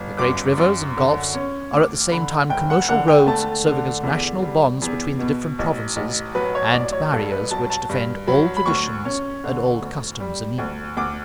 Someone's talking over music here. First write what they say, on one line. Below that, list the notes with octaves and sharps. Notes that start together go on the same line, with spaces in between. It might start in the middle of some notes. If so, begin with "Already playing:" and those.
The great rivers and gulfs are at the same time commercial roads serving as national bonds between the different provinces, and barriers which defend old traditions and old customs in each.
Already playing: G1
F#2 D6
F#2
D3
C#4
D2 D6
D3 B5
E1 G5
F#5
D3 F#5
G5
A3 A5
D3
E2
G3
E2
B2
A1
A1
F#3 B4
C#5
A1 D5
C#5
G2 A4
B4
F#3 A5
A5
G2
F#3 B5
B5
D2 C#6
C#4
D3
D2
G3
D2
D2 D6